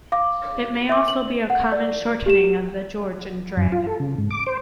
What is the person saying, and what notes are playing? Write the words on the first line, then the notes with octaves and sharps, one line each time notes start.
It may also be a common shortening of The George and Dragon.
F5 D6
E5 D6
F#7
F#5
D5
G4 E7
F#2
F4
A4
C#3
G#2
D6
C5